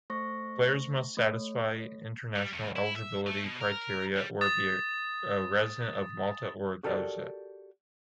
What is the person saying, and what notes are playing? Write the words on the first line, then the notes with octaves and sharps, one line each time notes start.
Players must satisfy international eligibility criteria or be a resident of Malta or Gozo.
A3 C5 C#6 A#6
A3 C#5
G3
E2
E4
E5
A3
B2
A#4
G3
D#6 A6
F#4 G4 A4 A#4 D5